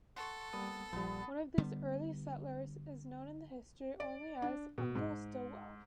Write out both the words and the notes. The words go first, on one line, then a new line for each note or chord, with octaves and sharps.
One of these early settlers is known in history only as "Uncle" Stillwell.
A4 F#5 C6 C#6
G3 A#3 B3 D#6
A#1 F3 G3 B3
D3 G3 B3
D5
D4
B2
G#2